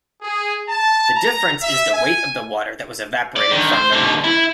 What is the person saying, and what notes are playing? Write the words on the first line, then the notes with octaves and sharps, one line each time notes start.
The difference is the weight of the water that was evaporated from them.
G#4
A5
A#5
E5
G#5
D5
D3 D#3
C5
D#2 D3
E4